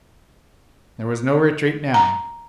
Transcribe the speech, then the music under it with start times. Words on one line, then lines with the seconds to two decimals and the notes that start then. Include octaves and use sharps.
There was no retreat now.
1.94 A#5